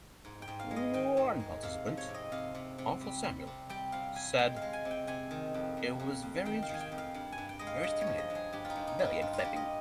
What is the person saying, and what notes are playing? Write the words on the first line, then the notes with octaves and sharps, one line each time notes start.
One participant, Arthur Samuel said, "It was very interesting, very stimulating, very exciting".
G#2
G5
G#2
F5
G#3
D#5
D#3 G5
G#2
G#3
C3 F5
F3
C#5
C3
D#5
C3 F5
C3
C3
G3
G3
C3
G3 G5
C3 F5
G3 G#5
G#3 G5
F5
G#3
G#5
C3
G5
C3 G#5
D#3
F2
F2
F2
F2
D#3 G5
F5
D#3 G#5
G5
F2
F5
G2
G#5
G2
G5
G#3 D#5
F5
G2 D#5
C#5
F3
D#5
G2
G#4
G2 G4
F4
D#4
G2
D#4
G3
F4
G2 F4
F4
G4
G2
D#5